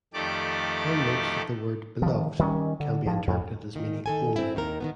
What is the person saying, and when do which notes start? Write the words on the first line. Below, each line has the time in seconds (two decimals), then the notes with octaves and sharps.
Hill notes that the word "beloved" can be interpreted as meaning "only".
0.14 F2 D#3 A3 G4 D5 D6
2.02 D#3 F3
2.39 D#3 G3 A#3 C#4
2.80 D3
3.06 G2 F3
3.27 F2
3.75 A#2 D#3
4.06 D#3 A4 G#5
4.36 C4 E4
4.55 D#2 D#3 D#4 A#4
4.80 D#3 F3 B3